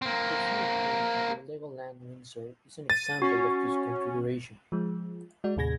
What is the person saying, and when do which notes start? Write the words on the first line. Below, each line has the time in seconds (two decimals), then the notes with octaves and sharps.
The Hill Train at Legoland, Windsor, is an example of this configuration.
0.02 A#3 C4
2.90 A6 D#7
3.22 C#4 F#4
4.72 F3 G#3
5.44 G#3 F#4 D5
5.57 D#2 A2 C3 G#4 G#6 A#6